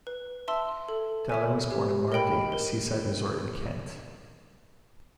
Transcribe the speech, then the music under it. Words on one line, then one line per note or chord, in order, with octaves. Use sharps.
Deller was born in Margate, a seaside resort in Kent.
B4
E5 A5 C6 E6
A4
C#5 E5 G#5
G4
A#4 D#5 G5 B5
A#4